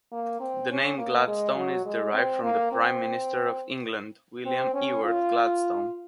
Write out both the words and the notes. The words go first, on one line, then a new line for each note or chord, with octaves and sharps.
The name Gladstone is derived from the prime minister of England, William Ewart Gladstone.
A#3
C4
C#4
A#3
G#3
F#3
G#3
C4
A#3
C4
C4
C#4
F4